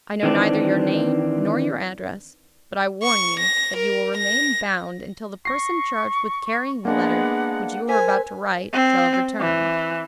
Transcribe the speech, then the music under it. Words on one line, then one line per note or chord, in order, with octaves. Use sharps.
I know neither your name, nor your address, but I warn you, that you will remain bound until the person charged with carrying the letter which you are about to write shall have returned.
D#3 E3 C4 D4
C#6
A#6
A#4
A#6
C#6 A#6 C7
G#3 A#3 B3 D4 F#5
A#4 C5 G#5 B6
C4
E3